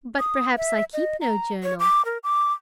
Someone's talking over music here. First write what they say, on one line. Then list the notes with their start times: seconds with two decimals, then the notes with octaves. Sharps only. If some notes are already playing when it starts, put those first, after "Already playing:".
"But, perhaps, I keep no journal."
0.19 D#6
0.57 E5
0.93 D#5
1.21 A#5
1.63 C#5
1.80 D6
2.05 A#4
2.24 D6